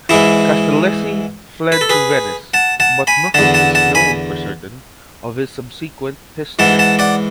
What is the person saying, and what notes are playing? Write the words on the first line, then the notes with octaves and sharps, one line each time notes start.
Castellesi fled to Venice, but nothing is known for certain of his subsequent history.
G#2 E3 E4 G#4
B4
A4
G#4 B4
F#5 A5
F#5 A5
G#5 B5
E2 D3 F#5 A5
F#5 A5
F#5 A5
G#5 B5
G#2 E3 F#5 A5
F#5 A5
D5 F#5